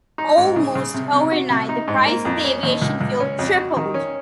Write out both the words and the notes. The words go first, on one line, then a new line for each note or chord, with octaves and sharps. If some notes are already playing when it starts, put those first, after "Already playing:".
Almost overnight, the price of aviation fuel tripled.
D#4
G#2
C#3
C#3
C3
C3
F#4
C3
D#4
G#2
A#3
F2
C#4
D#2
C#2
C#2
C#4
F2
F#4
D#3
C#4